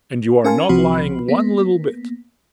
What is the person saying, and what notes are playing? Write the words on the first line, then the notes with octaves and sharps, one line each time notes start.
And you are not lying one little bit.
C#4 A#4 F5 G#5 A5 C6
C2 C3 F3 C4 F#4 B5
A#3 B3